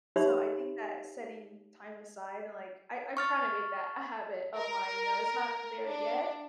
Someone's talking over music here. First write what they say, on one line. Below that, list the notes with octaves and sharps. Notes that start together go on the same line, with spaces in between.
so, I think that setting time aside and, like I I'm trying to make that a habit of mine, you know? It's not there yet,
D#4 G4 C#5 E5 B5 C6
C#6 F6 A6
A#4
D4